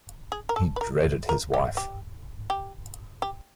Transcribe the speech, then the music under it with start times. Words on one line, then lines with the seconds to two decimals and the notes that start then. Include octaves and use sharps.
He dreaded his wife.
0.32 G#4
0.49 A#4
0.56 A4
0.76 B4
0.81 A#4
1.29 A#4
1.54 G4
1.77 G4
2.50 G4
3.22 G4